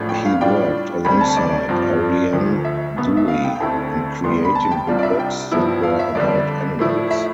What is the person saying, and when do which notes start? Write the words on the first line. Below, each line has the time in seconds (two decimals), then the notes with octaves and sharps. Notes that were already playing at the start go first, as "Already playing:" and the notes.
He worked alongside Ariane Dewey in creating the books that were about animals.
Already playing: A1 A2 F3 A3 D4
0.09 G5
0.25 F5
0.41 A2 G3 D4 F4 G5
1.05 D2 C3 G3 C4 B5
1.21 A5
1.37 D5
1.69 G2 F3 C4 F4
2.33 D2 D3 F3
2.65 E5
2.96 B1 B2 B3
3.17 E5
3.28 F5
3.44 G5
3.55 G5
3.60 D2 D3 A3 C4 E4 A5
4.24 D2 C3 G3 B3 C6
4.45 B5
4.55 A5
4.72 G5
4.87 C2 C3 G3 D4 F4
4.99 D5
5.03 E5
5.19 G5
5.51 G2 F3 B3 E4
5.83 F5
5.99 E5
6.15 F2 D3 G3 D5
6.79 A2 F3 A3 E4
7.11 E5